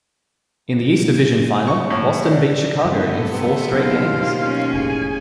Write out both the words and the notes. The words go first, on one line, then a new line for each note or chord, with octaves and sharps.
In the East Division final, Boston beat Chicago in four straight games.
C#6
A2
D4
G2 A3 B3 A4
C3
D#2 B2 F#3 F4 F5
F3 C5
C#4
F1 A2 G#4 G#5